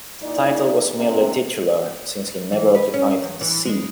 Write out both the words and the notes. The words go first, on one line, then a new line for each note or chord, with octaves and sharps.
The title was merely titular since he never occupied the See.
A#2 D#4 E4 D5
C3 G#3 B3 C#4 G4 A#4
E3
B4
C#4
E2
E3
G#3